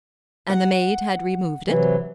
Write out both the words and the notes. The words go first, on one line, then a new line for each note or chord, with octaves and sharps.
"And the maid had removed it?"
F#5
C3 E3 F#3